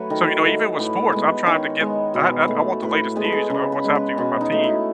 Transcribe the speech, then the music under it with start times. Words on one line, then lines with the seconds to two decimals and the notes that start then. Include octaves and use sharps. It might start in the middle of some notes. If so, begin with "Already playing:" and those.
so, you know, even with sports, I'm trying to get I I I want the latest news and know what's happening with my team.
Already playing: F#3 A3 B4 C#5
0.10 D#3 A4
0.45 A3
0.79 A2 B4
1.12 G#3 B3
1.47 D#3 C#5
1.80 G#3 B3
2.14 B2 B4
2.48 A3
2.82 A2 B4
3.16 G#3 B3 G#4
3.24 A4
3.32 G#4
3.50 C#3 A4
3.72 B4
3.84 G#3 B3
3.95 B4
4.18 B2 C#4
4.41 D#4
4.52 A3
4.63 E4